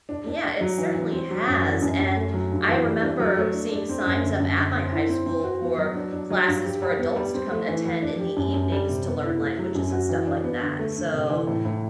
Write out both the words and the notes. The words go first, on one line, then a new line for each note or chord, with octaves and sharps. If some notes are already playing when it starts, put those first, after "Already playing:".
Yeah, it certainly has, and I remember seeing signs up at my high school for classes for adults to come and attend in the evenings to learn languages and stuff like that, so
D4
D4
D4
F#3
E3
E3
C4
F#3
F#2
E3
F#2
F#2
A3
F#3
G2
E3
G3
D4
F#3
A3
D4
D4
C4
F#2
D3
F#2
D3
C4
E4
C4
C4
F#4
B3
F#3
D4
D4
F#3
G2
G4
G3
B3
G3
C4
A3
E3
B4
D4
G4
F#2
F#2
G3
C3
B3
E4
A3
F#3
F#2
F#4
E3
D4
B3
D3
A3
D3
C3
E3
A2
A2